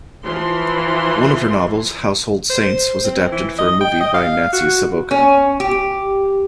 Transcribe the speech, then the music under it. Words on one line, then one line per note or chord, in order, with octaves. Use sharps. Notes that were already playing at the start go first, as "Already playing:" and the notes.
One of her novels, "Household Saints", was adapted for a movie by Nancy Savoca.
E3 F3 C6
C5
C4
E3
D#5
G5
D#5
F5
F#4
C#4
G4